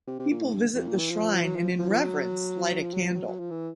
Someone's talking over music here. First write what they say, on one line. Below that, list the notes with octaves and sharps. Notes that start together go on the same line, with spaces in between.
People visit the shrine and in reverence light a candle.
C3
C3
A#2
A2
G2
F2
A#2
E3
F3
F#3
F3
F3
F3
F#3
F3
F#3
F3
F#3
F#3
F3
E3